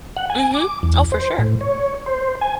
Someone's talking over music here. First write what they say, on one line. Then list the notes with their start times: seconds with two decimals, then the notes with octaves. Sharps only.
Mhm. Oh, for sure.
0.17 F#5
0.30 G#5
0.54 D6
0.83 E2
1.12 C5
1.39 A2
1.61 C#5
2.06 C5
2.41 G#5